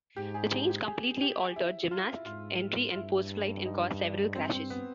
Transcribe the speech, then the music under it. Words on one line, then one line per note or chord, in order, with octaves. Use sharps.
The change completely altered gymnasts' entry and postflight and caused several crashes.
G#2 G4
G#4
G4
G4
G#4
G4
E4
F4
E4
G#2 F4
F4
G2 E4
D#4
D4
C4
C4
B3